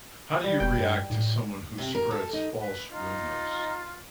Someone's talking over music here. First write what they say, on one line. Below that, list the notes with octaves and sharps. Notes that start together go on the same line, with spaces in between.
How do you react to someone who spreads false rumors?
G3
F1 G5
G2
A2
C3
A#4
A4
D#4
B4
D#4 F4